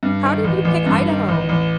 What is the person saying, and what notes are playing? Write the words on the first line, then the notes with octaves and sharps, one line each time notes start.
How did you pick Idaho?
G2
D#3
A1
A1
G2
D#3
A1
A1